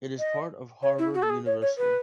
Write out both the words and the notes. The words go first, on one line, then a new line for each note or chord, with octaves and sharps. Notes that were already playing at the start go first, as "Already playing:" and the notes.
It is part of Harvard University.
D#5
C#5
E4
F#4
A4
G#4
C#5
C#5
B4